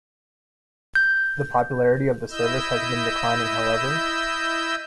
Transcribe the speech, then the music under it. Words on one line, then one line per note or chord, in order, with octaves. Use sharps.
The popularity of the service has been declining, however.
G6
E4 D#5 E6 G6